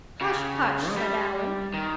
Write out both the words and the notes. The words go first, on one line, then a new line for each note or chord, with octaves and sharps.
"Hush! hush!" said Allan.
C#3
G#3
G3
D#3